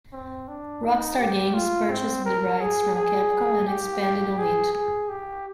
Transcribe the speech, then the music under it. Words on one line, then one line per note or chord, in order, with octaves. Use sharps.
Rockstar Games purchased the rights from Capcom and expanded on it.
C4
D4
D#4
G4
F4
C4
A#4
G#4
G#4
G4
G4
G#4
G#4
G4